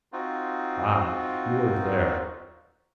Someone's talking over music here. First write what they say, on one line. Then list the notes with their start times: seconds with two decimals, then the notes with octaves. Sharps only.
Ah, you weren't there.
0.13 C4 D#4 F4 F#4